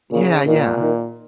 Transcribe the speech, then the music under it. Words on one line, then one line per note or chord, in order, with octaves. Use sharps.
Yeah, yeah.
A#2 C#3
A#2 D#3
D#3